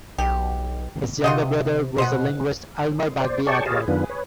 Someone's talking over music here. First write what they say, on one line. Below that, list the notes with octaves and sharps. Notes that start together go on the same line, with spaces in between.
His younger brother was the linguist Elmer Bagby Atwood.
B1 G4
C3 F4 F#4 D#5
B2 C5 D#5 F#5
C5 D5
G#4 C#5 D5 G5 A5 C#6
G4 G#4 C#5 D#5 F5 A5
F#2 D#3 B3 D4 F4 B4
B4 C#5